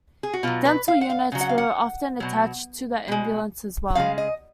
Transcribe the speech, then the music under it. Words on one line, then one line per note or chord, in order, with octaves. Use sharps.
Dental units were often attached to the ambulance as well.
G#4
F#4
B2 F#3 F4
B4
F5
F#5
F5
C#3 F#3
F#5
F5
F#5
B2 F#3
B2 G#3
C#3 G#3 F5
D#5